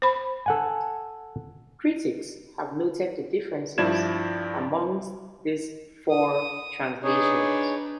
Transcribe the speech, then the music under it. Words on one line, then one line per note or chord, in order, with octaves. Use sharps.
Critics have noted the differences amongst these four translations.
C5 B5
A4 F#5 G#5
G2 F3 E4 D5 G#6 E7
D#6
D4 D#4 G#4 B4 C#5